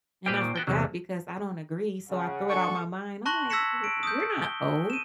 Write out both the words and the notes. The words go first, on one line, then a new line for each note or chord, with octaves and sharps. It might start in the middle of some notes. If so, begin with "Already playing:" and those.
and I forgot because I don't agree, so I threw it out my mind. I'm, like, "We're we're not old,
A#2 G3 G4 B4 C5 G5
D#3
B3 F#4 G5
A#1 E2 C3 F#3 A#3
C#3 F#5
D4 A4 G#5 C#6
A5 C6 C#6 F#6 A#6 F#7
E6 G#6 A#6 B6 C#7 E7
D7
D#6 G6
G7
D#7 E7